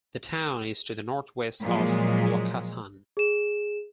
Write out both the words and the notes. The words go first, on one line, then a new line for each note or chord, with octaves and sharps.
The town is to the north-west of Whakatane.
A#2 F3 F#3 G#3
G#4 E7